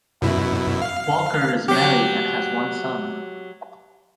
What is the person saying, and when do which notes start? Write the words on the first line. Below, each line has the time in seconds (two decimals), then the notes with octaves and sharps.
Walker is married and has one son.
0.22 F#2 B2 E4
0.82 F5
1.68 F#3 G4